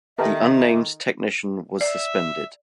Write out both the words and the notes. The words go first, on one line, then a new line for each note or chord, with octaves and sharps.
The unnamed technician was suspended.
D#3 B3 G4 A4 A#4 D#5 E5 A#5
D5 E5